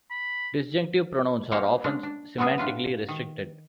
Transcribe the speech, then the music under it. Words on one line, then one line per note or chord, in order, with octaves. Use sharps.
Disjunctive pronouns are often semantically restricted.
B5
A#3 G4 C5 C#5 F5 F#5
G#3 C#4 D4
D4
F#3 G#3 B3 C#4 G#4
A2 D4 F4 B4
D#3